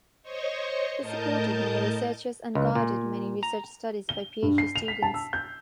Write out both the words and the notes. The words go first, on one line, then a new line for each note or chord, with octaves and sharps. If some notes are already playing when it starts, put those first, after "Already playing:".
He supported many researchers and guided many research studies by PhD students.
C5 C#5 D#5 C#6
A2 A#4 D#5 A5 G6
C#2
A#2
A#5
G7
G2
C7
F7
B6
A5
E6
G6